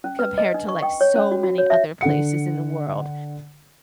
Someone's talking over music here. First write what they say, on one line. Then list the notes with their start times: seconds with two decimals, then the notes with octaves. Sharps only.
compared to, like, so many other places in the world
0.04 C#4
0.19 B4
0.38 D#5
0.54 D4
0.68 C#6
0.82 G5
1.01 C#5
1.16 C#4
1.31 F#4
1.43 F#4
1.58 C#5
1.70 E5
2.01 D3 A4 F#5 C#7